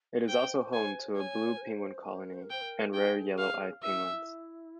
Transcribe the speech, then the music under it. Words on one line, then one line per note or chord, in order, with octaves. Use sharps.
It is also home to a blue penguin colony, and rare yellow eyed penguins.
A#4
C5 G5
G#5
C#5 G#5
A#4
C5
A#4
C5
A#4
C5
A#4
C5 G5
A#4
G#4 G5
F5
E4 E5
C#4
E4